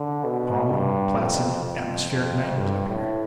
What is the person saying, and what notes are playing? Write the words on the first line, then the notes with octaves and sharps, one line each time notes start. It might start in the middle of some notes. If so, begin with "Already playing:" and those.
Calm, placid, atmospheric night was up here.
Already playing: D3
B2
G2
F2
F2
F2
G2
A2